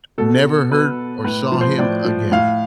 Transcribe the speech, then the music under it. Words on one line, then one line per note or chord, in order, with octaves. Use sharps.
never heard or saw him again.
B2 A4
B2 B4
A2 B4
F3
C5
A2 D5
F3
A2 F5